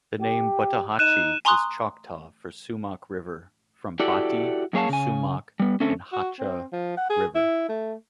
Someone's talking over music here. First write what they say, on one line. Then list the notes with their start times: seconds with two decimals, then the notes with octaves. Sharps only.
The name "Buttahatchee" is Choctaw for "sumac river", from "bati", "sumac", and "hahcha", "river".
0.21 G4
0.99 D#4 F#6 D#7 E7
1.45 G#5 A#5 C6 C#6 D#6 F#6
4.00 E4 F#4 G4 A4 D5
4.73 F#2 A#3 G#4 C#5 F5 A5
4.89 C#3 G#5
5.60 G3 B3
5.80 D3 A3 C4 C#4
6.12 F#4
6.39 C4
6.72 F3
6.97 F#5
7.10 G#4
7.35 E4
7.69 A3